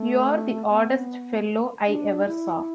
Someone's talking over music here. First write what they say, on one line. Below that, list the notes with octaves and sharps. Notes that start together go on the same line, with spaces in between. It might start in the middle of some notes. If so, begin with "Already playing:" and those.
You're the oddest fellow I ever saw.
Already playing: A3
B3
D4
E4